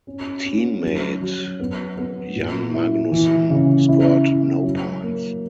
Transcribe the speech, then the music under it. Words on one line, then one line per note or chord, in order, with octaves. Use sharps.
Teammate Jan Magnussen scored no points.
C#4
C#4
F#3
F#3
B3
B3
A#2
E4
E3
C#3
E4
E4
F#3
A#3